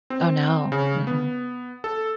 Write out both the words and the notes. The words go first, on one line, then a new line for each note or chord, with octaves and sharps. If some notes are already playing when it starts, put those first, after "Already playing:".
Oh, no, mm-mm.
C4
C#3
B3
A4